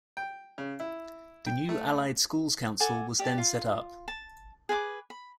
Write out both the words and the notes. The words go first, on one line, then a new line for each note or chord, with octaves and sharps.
The new Allied Schools Council was then set up.
G5
C#3
E4
G5
A3
A4 F#5 G#5 D6
G4 D5 A5
F4
A5
G#4 B4 B5 D6
B5